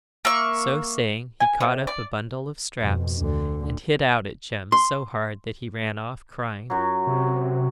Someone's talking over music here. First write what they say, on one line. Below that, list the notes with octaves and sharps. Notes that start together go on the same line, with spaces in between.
So saying, he caught up a bundle of straps, and hit out at Jem so hard that he ran off crying.
A#3 E5 C#6
G#5
C3
D5
F2 B2
D2 D3
C6
F#2 F#3
C3